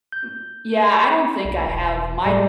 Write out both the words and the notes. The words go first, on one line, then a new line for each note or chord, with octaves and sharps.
m Yeah, I don't think I have. My
G6
C2
E1
A2 G3 G#3